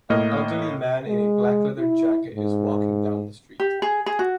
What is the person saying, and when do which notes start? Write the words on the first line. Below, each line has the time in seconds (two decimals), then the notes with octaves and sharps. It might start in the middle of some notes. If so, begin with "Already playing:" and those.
An elderly man in a black leather jacket is walking down the street.
0.10 A2 A#3 D#5 F6
1.08 G#3
1.79 E4
2.35 G#2
3.60 G4
3.82 G#4
4.06 G#4
4.19 F#4